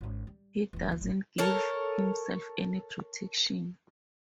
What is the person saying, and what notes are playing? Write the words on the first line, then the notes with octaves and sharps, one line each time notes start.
He doesn't give himself any protection.
G#1 C#4
G3
E1 E3
D2 F#3
G1 A2
A4 A#4 C#5